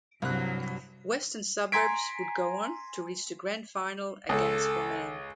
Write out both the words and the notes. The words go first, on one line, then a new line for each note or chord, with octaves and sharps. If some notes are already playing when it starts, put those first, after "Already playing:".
Western Suburbs would go on to reach the grand final against Balmain.
C2 G2 F#3 F#6
G#5 A#5 C6 G#6 B6 D7
C#2 A4